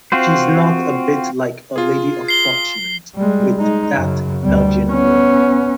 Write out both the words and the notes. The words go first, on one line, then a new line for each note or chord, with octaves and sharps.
She's not a bit like a lady of fortunes, with that nudging look.
C4 F4 F#4 C5
F4 G#4
C7 G7
G3 G#3
G#3 D#4
F#2 C#3
D2 G3
B3 C#4